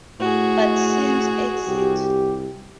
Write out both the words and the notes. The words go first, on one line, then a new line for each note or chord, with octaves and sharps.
But since Exit...
A2 F#4 G#4
C2 G4